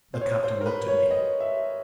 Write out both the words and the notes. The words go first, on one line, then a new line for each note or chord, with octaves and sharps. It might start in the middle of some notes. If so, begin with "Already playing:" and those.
The captain looked at me.
C5
C#5
C5
A#4
B4
C#5
D#5
E5